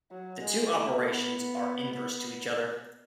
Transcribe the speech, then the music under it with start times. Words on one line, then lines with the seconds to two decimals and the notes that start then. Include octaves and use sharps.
The two operations are inverse to each other.
0.11 F#3
0.42 G#3
0.72 A3
1.03 B3